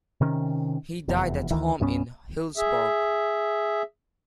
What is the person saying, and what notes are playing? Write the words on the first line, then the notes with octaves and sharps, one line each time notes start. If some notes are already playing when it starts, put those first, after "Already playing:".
He died at home in Hillsborough.
C3 D#3 C#4
F1 E2
D2 D#3 E3
C2 G2 B3 C#4
G#4 E5